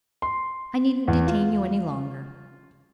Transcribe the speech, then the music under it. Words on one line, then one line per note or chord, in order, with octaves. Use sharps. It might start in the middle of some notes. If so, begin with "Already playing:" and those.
I needn't detain you any longer.
C6
E2
F4